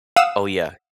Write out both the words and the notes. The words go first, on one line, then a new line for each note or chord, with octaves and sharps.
Oh, yeah.
F5 F#5 D#6 E6 E7